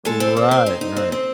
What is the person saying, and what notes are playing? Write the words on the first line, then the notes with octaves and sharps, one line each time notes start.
Right, right.
G#3 A4
C4
C4
C4
D#4 C5
D#4
C4
C4